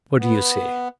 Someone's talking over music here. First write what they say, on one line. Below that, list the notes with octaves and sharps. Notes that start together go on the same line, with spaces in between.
What do you say?
B3